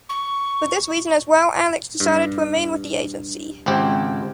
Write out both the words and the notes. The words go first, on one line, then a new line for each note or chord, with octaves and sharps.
For this reason as well, Alex decided to remain with the Agency.
C#6
G2
G#1 C#2 C4 G4